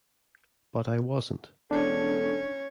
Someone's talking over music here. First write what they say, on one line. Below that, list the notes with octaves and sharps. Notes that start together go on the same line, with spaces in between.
But I wasn't.
E1 C#4 D4 A4 C#5